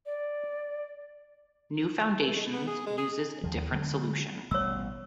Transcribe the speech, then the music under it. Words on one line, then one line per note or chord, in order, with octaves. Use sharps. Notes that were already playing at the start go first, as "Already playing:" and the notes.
New Foundations uses a different solution.
D5
E3
G#3
B3
G#4
G#3
G#4
D#2 F3
D3 F#3 G#3
A1 B2 G3 C#5 E6